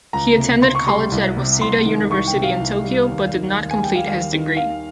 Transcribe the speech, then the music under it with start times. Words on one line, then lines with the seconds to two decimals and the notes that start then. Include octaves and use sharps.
He attended college at Waseda University in Tokyo but did not complete his degree.
0.13 C#2 A#5
0.38 C3
0.62 C#2 C6
0.75 C#6
0.87 G3 C6
1.12 C2
1.37 C3
1.61 C2 C6
1.86 D#3
2.11 C2 C#6
2.27 G5
2.35 C3
2.43 F5
2.60 C2
2.84 G3
3.09 D#2
3.34 D#3
3.58 D#2
3.71 G#5
3.83 G3 G5
3.96 F5
4.07 D#2 F5
4.33 D#3
4.57 D#2 F5